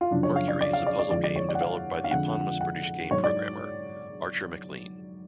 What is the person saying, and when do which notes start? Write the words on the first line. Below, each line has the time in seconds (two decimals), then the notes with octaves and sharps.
"Mercury" is a puzzle game developed by the eponymous British game programmer, Archer MacLean.
0.01 F4
0.11 F#2 C#3 F3 D4
0.23 C#5
0.36 F5
0.48 D5
0.61 D5
0.73 F5
0.86 D5
0.99 D5
1.11 F2 D3 F3 G#3 D5
1.24 D5
1.36 C#5
1.49 D5
1.55 F#5
1.61 F5
2.04 F5
2.11 F2 D3 F3 G#3 F#5
2.61 F#5
3.11 G#2 F#3 C#5
3.24 D5